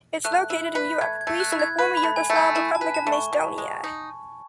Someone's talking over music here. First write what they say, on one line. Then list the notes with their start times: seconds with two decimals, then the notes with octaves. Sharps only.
It’s located in Europe: Greece and the former Yugoslav Republic of Macedonia.
0.24 A3 F#6
0.50 E4
0.75 B4
1.01 A3 G#6
1.21 G#6
1.27 A3
1.40 F#6
1.52 E4
1.59 G#6
1.79 B4
1.97 B5
2.03 A3
2.16 G#5
2.30 A3
2.36 G#5
2.55 E4 A5
2.75 A5
2.81 B4
2.94 A5
3.07 A3
3.12 C#6
3.33 B2
3.58 G#3
3.84 D#4